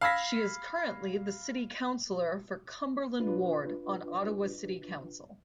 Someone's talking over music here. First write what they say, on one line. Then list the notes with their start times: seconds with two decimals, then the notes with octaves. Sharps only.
She is currently the city councillor for Cumberland Ward on Ottawa City Council.
0.01 F5 B5 E6 G#6 A#6 B6
3.20 D4 F4 B4